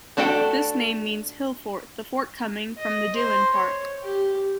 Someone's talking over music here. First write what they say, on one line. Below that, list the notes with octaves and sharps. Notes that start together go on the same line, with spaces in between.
This name means Hill-fort, the fort coming from the Duin part.
A3 D4 F#4 A4 G5
D#5
C5
C#5
G4